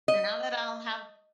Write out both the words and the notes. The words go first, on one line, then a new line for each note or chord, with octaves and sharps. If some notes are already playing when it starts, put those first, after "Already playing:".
now that I'll have
D#5